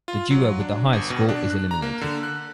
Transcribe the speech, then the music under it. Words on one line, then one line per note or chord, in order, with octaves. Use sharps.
The duo with the highest score is eliminated.
F4
F#3
D4
G1
B2
D4
F#6
A#5
A#3
D3
F#6